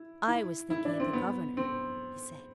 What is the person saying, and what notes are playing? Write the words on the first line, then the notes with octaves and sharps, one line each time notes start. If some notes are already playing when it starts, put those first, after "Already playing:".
"I was thinking of the governor," he said.
Already playing: E4
E4
E4
D4
C4
B3
C4